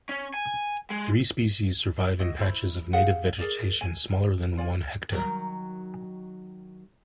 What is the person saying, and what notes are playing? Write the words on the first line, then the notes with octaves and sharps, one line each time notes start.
Three species survive in patches of native vegetation smaller than one hectare.
C#4
G#5
G#3
E4 F#4 D#5
E4 C5 B5
G4 G#4 F5 F#5
G#4 A#4 D5
G#5
F4 D5 G#5
D#3 F#3 A#4